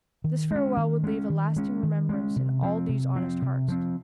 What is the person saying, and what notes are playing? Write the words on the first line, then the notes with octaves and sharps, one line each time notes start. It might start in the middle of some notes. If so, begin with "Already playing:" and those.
This farewell would leave a lasting remembrance in all these honest hearts.
D#3
G#3 C#4
D#3
G#3 C#4
D#3
G#3 C#4
D#3
G#3 C#4
C3
F3 C4
C3
F3 C4
C3
F3 C4